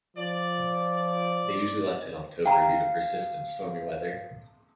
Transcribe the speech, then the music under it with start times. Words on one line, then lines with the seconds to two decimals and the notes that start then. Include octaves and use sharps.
They usually left in October due to persistent stormy weather.
0.17 F3 D5
2.46 F5 G5 A#5